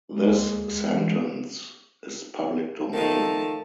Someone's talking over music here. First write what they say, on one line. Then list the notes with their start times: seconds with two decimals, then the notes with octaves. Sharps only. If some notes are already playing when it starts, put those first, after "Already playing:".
This sentence is public domain.
0.12 G#3
0.27 D2 A#3
0.92 E3 C#4
2.93 D#3 F3 A3 D#4 A5